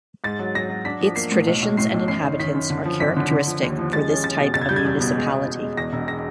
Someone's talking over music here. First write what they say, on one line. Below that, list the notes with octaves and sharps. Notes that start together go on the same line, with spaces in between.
Its traditions and inhabitants are characteristic for this type of municipality.
G#2 A6
F#3
F#3 A#6
F#3
D4 B6
F3
A#3 C7
A2
B1
B1
A2 C7
B1
F#2 C7
D#3
D#3 B6
F#2
D3
F3
G#1 B6
D3
D3
F3
D#2
F3
G#3 A6
C#4
C#4 A6
B2
F#1 A6
G#6
G3 G6
G#6
E2
B2
G#3
B2
B2
G#3
E2 A#6
E1
A#6